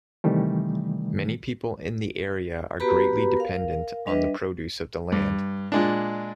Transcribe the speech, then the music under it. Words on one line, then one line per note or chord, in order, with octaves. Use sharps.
Many people in the area are greatly dependent on the produce of the land.
C3 D#3 E3 G3 A3
B3 F#4 G4 B4 A#5 B5
A#4 F5
G3 D4 B4 D#5 E5
G2
A#2 G#3 D4